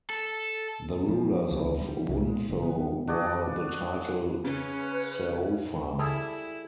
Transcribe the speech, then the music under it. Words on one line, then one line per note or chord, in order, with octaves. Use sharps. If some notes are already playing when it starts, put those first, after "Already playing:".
The rulers of Wuntho bore the title "Saopha".
A4
F3
D2
D2
G3
C2
G#3
F#1
B3
B3
D4 F#4 G#4 D5
C#3 C#4 B4
G3 E4 G#4 A4